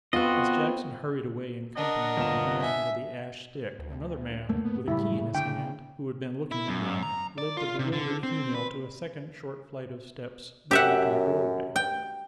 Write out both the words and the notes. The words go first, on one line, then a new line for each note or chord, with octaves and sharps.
As Jackson hurried away in company with the man with the ash stick another man, with a key in his hand, who had been looking on, led the bewildered female to a second short flight of steps leading to a doorway.
B3 C4 F4 F#4 A4 B4 D#5
D4 A#4 D#5 F#5
G1 F4 E7
E5 G#5
D2
E2 G#2 A3 A#3
B3
F#2 A2 C#3 G3 E4
D3 G5
E4
F#2
A#5
D5
F4
C3
D3
C4
B4
F#2 G4 E5 F#5
G5